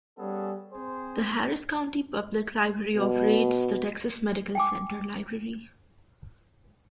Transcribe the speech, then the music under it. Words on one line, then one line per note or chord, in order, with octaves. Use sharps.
The Harris County Public Library operates the Texas Medical Center Library.
G3 B3 C#4 G#4 A4
C4 G#4 C5
B2
G5 G#5 D6